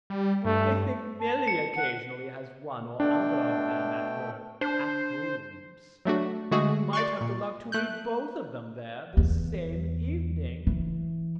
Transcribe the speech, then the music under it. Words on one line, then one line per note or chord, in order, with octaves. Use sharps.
I think Milly occasionally has one or other of them at her at-homes; you might have the luck to meet both of them there the same evening.
G3
G2 A3
A5
C#7
F#5
B2 A3 D4 G5
D4 C5
F#3 A3 D4 F#4
D3 G#3 A3 F#4 G#4
D5 C6 C#6
A#2
A3 F#6 G6
E2
E3